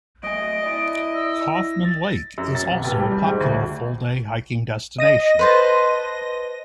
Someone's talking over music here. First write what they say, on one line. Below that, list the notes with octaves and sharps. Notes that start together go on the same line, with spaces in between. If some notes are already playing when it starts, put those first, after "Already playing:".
Kaufman Lake is also a popular full day hiking destination.
F#3 A3 D#5 G#5 D7
E4 D5
E6
A#6
A6
F#2
A6
B1
F1
G3
G3
G#2
D2
D#5 A#6 D#7
B4 C5 A5